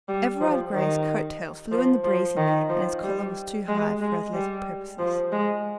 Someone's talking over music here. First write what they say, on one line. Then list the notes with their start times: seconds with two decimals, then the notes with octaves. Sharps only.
Everard Grey's coat-tails flew in the breeze he made, and his collar was too high for athletic purposes.
0.08 G3
0.41 F3
0.74 D#3
1.72 F3
2.04 F3
2.37 D#3
2.70 F3
3.03 G3
3.68 G#3
4.01 G#3
4.34 G3
4.99 F3
5.32 G#3